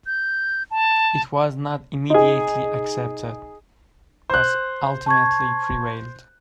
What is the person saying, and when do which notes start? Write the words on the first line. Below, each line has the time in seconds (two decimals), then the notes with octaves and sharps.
It was not immediately accepted but ultimately prevailed.
0.06 G6
0.71 A5
2.10 D#4 G#4
4.30 C5 F#6
5.06 A5 C#6 G#6